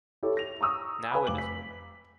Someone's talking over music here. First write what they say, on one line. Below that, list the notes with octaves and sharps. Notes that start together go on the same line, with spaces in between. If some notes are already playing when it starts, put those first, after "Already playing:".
Now it is moving.
E4 G4 A4 C#5
A#6 F7
A#5 C#6 D#6 E6
B4 F5 G#5 A#5 B5
F1 D6 F#7
B6